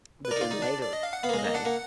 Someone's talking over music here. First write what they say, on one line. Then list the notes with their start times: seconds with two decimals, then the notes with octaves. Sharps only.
But then later, okay,
0.25 B4
0.31 A#4 D5
0.36 D#4
0.41 F4
0.51 D#4
0.62 D4
0.82 D5
0.93 D#5
1.03 F5
1.13 F#5
1.23 B3 F5
1.29 A#3
1.34 G#3
1.39 D#5
1.44 A#3
1.54 D4 F#5
1.65 A#3